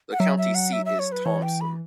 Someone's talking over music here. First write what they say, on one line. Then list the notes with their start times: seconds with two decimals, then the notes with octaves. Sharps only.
The county seat is Thomson.
0.12 F#5
0.20 F#3 E5
0.38 E5
0.55 F#5
0.73 E5
0.86 E5
0.99 C#5
1.12 B4
1.25 E3 C#5
1.42 G5
1.61 B5